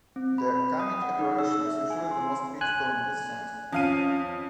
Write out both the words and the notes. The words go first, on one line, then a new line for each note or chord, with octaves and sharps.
The "commit" operation is usually the most critical in this sense.
C4
B5
D#6
F#5
D#4
E6
E5
G#5
C6
G#5 F#6
F2 C#4 F5 D#7